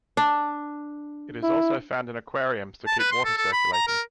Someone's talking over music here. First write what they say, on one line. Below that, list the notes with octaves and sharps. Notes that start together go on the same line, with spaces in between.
It is also found in aquariums to keep water circulating.
D4
E4
A5
B4
C6
A4
A4
B5
A#5
A#4